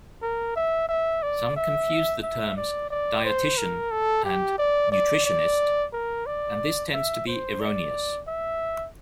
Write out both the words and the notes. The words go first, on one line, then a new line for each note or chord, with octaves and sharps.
Some confuse the terms "dietitian" and "nutritionist," and this tends to be erroneous.
A#4
E5
E5
D5
E5
E5
D5
D5
C5
A#4
A4
G4
D5
D5
D5
A#4
D5
E5
C5
D5
E5